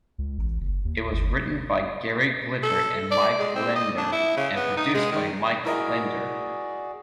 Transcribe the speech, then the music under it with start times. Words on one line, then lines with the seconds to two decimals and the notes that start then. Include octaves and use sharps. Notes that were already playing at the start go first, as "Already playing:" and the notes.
It was written by Gary Glitter and Mike Leander and produced by Mike Leander.
0.18 C#2
0.38 A1
0.61 F#1
0.85 D#2
1.12 G1
2.63 A4
3.11 D5
3.39 G#3
3.55 C4
3.76 D#5
3.98 D4
4.12 E4
4.37 C#3
4.56 B3
4.77 D#4
4.94 G#3
5.12 D#3
5.65 E4 F#4 G#4 A#4 D5 D#5